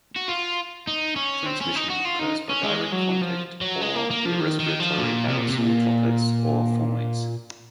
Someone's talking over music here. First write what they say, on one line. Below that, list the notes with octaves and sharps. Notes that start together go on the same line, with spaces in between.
Transmission occurs by direct contact, or via respiratory aerosol droplets, or fomites.
F#4
F4
D#4
C#4
C4
C#4
D#4
F#4
F4
D#4
C#4
G#3
F#3
F3
F#3
G#3
A#3
A#3
F3
D#3
D#3
F3
A#2
C3
A#2
C3
A#2